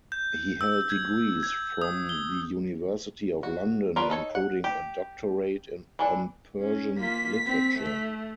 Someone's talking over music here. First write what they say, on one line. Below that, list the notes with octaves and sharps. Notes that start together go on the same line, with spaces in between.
He held degrees from the University of London, including a doctorate on Persian literature.
G6
E6
G#6
G#6
D#6
G7
F#4
F4 A#4 B4 D5
D#4 A4 C#5
F#5
G4
E3 D4 A4
C#4
A#3 F4 B6
C4
A3